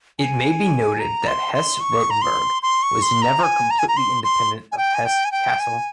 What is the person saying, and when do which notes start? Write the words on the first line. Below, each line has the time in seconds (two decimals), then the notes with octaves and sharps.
It may be noted that Hesse-Rotenburg was never completely independent of Hesse-Kassel.
0.19 G#5
0.99 A#5
1.27 C6
1.54 C6
1.81 C#6
2.10 A#5
2.22 C6
2.63 C6
2.83 C#6
3.02 C6
3.22 A#5
3.43 G#5
3.70 A#5
3.79 G#5
3.88 A#5
3.97 C6
4.24 C6
4.72 G#5
4.78 G5
4.95 G#5
5.06 G5
5.25 G#5
5.32 G5
5.60 G#5